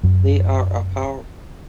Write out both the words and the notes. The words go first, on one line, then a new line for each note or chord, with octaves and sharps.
They are apart.
F#2 F#3